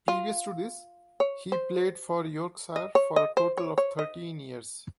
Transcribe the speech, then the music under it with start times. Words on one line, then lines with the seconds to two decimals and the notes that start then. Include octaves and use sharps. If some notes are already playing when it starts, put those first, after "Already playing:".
Previous to this he played for Yorkshire for a total of thirteen years.
0.08 F4
1.20 C#5
1.52 C5
2.76 D#5
2.95 C#5
3.16 D#5
3.37 C5
3.57 C#5
3.78 C#5
3.99 D#5